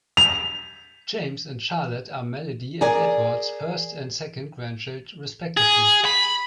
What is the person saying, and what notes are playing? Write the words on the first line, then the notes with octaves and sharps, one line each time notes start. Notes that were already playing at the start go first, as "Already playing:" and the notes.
James and Charlotte are Melody and Edward's first and second grandchild, respectively.
F7
G#4 A#4 D5 G#5
G#4
B5